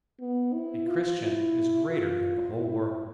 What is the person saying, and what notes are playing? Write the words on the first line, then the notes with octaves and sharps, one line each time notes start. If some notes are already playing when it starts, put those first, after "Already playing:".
A Christian is greater than the whole world.
B3
E4
F4
E4
F4
E4